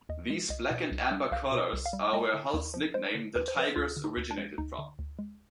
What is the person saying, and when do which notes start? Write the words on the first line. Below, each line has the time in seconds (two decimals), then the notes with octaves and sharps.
These black and amber colours are where Hull's nickname, "The Tigers", originated from.
0.09 D#2 D#5
0.30 G#3
0.50 C2 D#5
0.71 B2
0.91 C2
1.11 G3
1.32 C2 F5
1.51 B2
1.58 D#5
1.73 C2
1.86 F5
1.93 G3
2.13 G#3 D#5
2.34 D3
2.54 D#2
2.74 F3
2.94 G#3 C5
3.15 D3
3.35 D#2 B4
3.48 C5
3.56 F3 B4
3.76 D2 F4
3.97 D3
4.04 D#4
4.17 D2
4.31 D4
4.38 G#3
4.58 D2 D#4
4.79 D3
4.99 D2
5.19 G#3